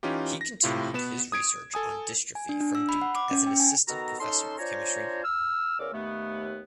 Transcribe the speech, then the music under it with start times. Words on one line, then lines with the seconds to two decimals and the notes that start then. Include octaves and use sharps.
He continued his research on dystrophy from Duke as an assistant professor of chemistry.
0.03 E3 C#4 D#4 F4 G4
0.41 A#6
0.63 A2 C3 E4 F4
0.93 B2 B3 B4 E7
1.32 D#6 G#6 D7
1.74 A4 G#5 D#6
2.35 G#5
2.49 D4
2.60 D4
2.75 E6
2.89 B5
3.01 F#5
3.15 D6
3.31 C#4
3.47 G5
3.60 G#5
3.87 D#3 B3 F#4 A4 A#5
4.20 C#4 D#4 A4 A5 C6
4.59 D4 F4 C5 C#5 G#5 A#5
5.24 E6 F6
5.79 E2 C#4 A#4 D5 F5 E6
5.93 D#2 A3 B3